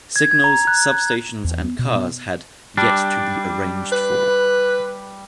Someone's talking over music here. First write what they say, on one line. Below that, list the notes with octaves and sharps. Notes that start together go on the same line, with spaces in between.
Signals, substations and cars had "yet to be arranged for".
G#6
G#6
A#5
F#6
E2
B3
B2
B3
G3 D4
B4